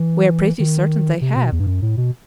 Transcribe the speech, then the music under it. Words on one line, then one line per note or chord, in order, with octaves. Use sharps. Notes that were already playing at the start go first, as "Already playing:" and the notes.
"We are pretty certain they have."
Already playing: E3
D#3
C3
B2
E2
G2
F#2
A2
B2